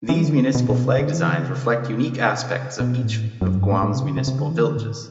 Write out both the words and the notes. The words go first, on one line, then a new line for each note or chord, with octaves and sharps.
These municipal flag designs reflect unique aspects of each of Guam's municipal villages.
E3
D3
B2
B2
C3
D3
E3
D3
C3
B2
C3
B2
A2
F#2
G2
A2
A2
C3
D3
C3
C3
D3
E3
D3
A2